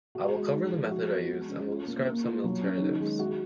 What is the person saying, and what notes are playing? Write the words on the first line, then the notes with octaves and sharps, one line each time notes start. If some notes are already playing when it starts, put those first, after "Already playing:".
I will cover the method I use and will describe some alternatives.
F#4
G#3
D#4
F3
F#4
B3
G#3
C#4
F4
A#3
A#3
F4
F#3
C#4
D#3
G#3
F#4